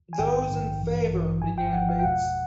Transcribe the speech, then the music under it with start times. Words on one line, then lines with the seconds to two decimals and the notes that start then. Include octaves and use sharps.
"Those in favour..." began Bates.
0.13 G#5
0.19 A#1 G#2 D#3 G5
0.50 A#1 G#2 D#3
0.81 A1 G2 E3
1.11 A1 G2 E3
1.42 G#1 G#2 F3 G#5
1.58 G5
1.73 G#1 G#2 F3 F#5
1.89 F5
2.00 G5
2.04 E2 B2 G#3 F#5